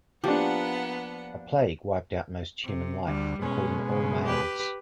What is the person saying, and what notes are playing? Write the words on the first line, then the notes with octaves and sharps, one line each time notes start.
A plague wiped out most human life, including all males.
F3 A#3 B3 D4 G4 F#5
C3
D2 G3
B2 G#3 C#4
C#3
G4 B4